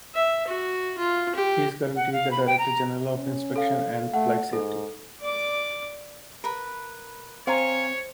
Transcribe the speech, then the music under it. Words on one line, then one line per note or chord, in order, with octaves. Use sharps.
He is currently the Director General of Inspection and Flight Safety.
E5
F#4
F4
G4
F#5
F5
B5
G5
A#5
C#4
A4 F5
A3 F#5
G#2 A4
D5 D6
A#4 B4 B5
C4 C5 C#5 F5 G#5 A#5